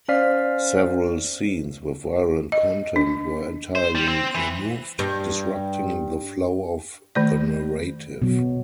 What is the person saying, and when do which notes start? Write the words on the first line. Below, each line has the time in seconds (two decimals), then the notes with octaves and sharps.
Several scenes with violent content were entirely removed, disrupting the flow of the narrative.
0.08 C#4 C5 D5 F5 F6 B6
2.52 D#5
2.96 D4
3.75 C5
3.95 G3
4.08 C4
4.35 E3
4.99 G2
7.15 D#3 A3 D5
8.22 B2 F#3